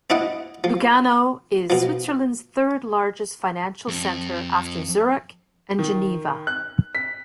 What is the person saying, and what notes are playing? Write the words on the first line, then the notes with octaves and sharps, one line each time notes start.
Lugano is Switzerland's third largest financial center after Zurich and Geneva.
C4 D4 E4 D#5 F#5
F3
B2 F3
F2
D#3
F#6
B6